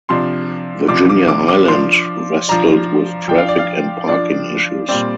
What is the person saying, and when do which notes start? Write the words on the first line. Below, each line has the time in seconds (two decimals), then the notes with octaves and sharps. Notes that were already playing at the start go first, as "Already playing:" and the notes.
Virginia-Highland wrestled with traffic and parking issues.
0.09 C3 F3 D4 C6
0.88 C3 F3 D4 D6
1.09 D6
1.28 D6
1.48 D6
1.68 F3 D4 C6
2.48 F3 D4 A#5
3.28 F3 D4 G5
3.38 F5
3.49 D5
3.59 F5
4.08 F3 D4 D5
4.88 A#2 G3 C4 D5